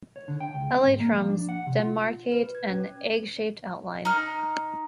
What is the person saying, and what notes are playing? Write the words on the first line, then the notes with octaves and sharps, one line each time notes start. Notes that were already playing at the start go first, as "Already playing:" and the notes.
Elytrums demarcate an egg-shaped outline.
C#5
D3
G5
C#2
C4
G#2
A#3
F3
D4
F#5
C3
F4
B4
G#6
C#4
D#4 F6